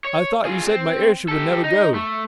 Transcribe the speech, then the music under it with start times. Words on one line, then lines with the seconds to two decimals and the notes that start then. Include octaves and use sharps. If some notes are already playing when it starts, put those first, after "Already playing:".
I thought you said my airship would never go!
0.05 C#5
0.45 F4 G#4
0.67 C4
1.28 G4 A4
1.64 D#4
1.94 A3